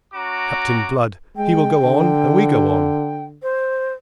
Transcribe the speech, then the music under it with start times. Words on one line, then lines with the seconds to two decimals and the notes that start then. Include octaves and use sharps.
Captain Blood, he will go on, and we go on.
0.14 C#4 F#4 A#5 D6
1.37 G#3 G5
1.83 D3
3.43 C5